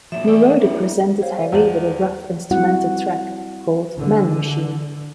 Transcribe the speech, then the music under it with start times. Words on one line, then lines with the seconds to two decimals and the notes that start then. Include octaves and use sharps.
Moroder presented Harry with a rough instrumental track called "Man Machine".
0.12 F3 F#3 A#3 E5
0.28 E3 D5 G#5
0.60 D4 E4
1.21 C5 C#5 F5
1.38 A4 D5
1.52 E2 F3 F#5 F#7
2.51 G3 C4 E4 F#4 F#5
3.98 D3